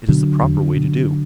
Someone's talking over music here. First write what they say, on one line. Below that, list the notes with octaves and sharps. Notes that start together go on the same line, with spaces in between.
It is the proper way to do.
B2 D3 F#3
E2
B2